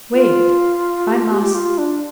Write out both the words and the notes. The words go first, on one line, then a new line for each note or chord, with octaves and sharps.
"Wait, I must..."
F4
G4
F4
G4
G4
F4
D4